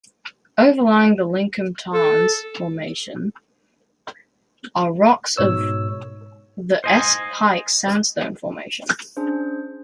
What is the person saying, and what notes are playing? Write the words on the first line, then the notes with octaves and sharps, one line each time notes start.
Overlying the Lincomb Tarns Formation are rocks of the Esk Pike Sandstone Formation.
A4
G#2 B2 C#5 E6
C5 D#5 G#5
C#4 D4 G#4 C5